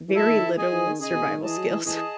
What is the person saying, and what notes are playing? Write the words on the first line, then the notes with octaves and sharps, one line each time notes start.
very little survival skills.
E3
F#3 E4 A4 E5 A5
D#3
E3
G#4 D#5 G#5
E3
D#3
C#3 G#4 D#5 G#5
B2
C#3
D#3
E3 G#4 D#5 A5
F#3
E3
E3 G#4 D#5 A5